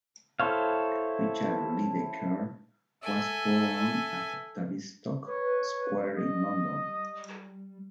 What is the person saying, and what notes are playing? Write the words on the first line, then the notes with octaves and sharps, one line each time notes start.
Richard Lydekker was born at Tavistock Square in London.
E4 A4 C5 C#5 F5
A4 E5 G#5
B4 C#5
G3 D#5